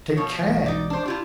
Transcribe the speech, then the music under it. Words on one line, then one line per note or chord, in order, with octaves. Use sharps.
Take care!
B2 F3 C#5
B1 E3 G#3
D#4 D5
D4 C5
E4 F4 G4